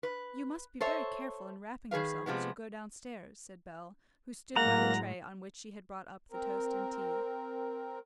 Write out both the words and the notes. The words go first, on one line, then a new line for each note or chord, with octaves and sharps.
"You must be very careful in wrapping yourself as you go downstairs," said Bell, who stood by the tray on which she had brought up the toast and tea.
B4
A4 C5 C#5 E5
D#3 G#4 B4 F5
C3 F3 G#3 B3
A2 F#3 G#3 A#3 F#5 A#5 A#6
C4 A#4